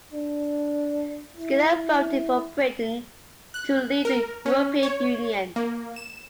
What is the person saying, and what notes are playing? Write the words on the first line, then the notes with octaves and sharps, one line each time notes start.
Skinner voted for Britain to leave the European Union.
D4
E4
F#6
A#4
C#4
C#5
A#3
E7